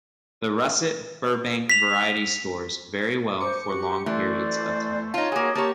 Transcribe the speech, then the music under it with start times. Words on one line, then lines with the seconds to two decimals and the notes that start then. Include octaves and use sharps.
The Russet Burbank variety stores very well for long periods of time.
1.70 B6 F7
3.41 C5 D6 C#7
3.69 F#4 G4
4.06 E3 A3 C5 D5
5.14 D#4 F4 C#5 A5
5.32 A#3 F#4 G#4 D#5
5.55 A#3 G4 C#5 A5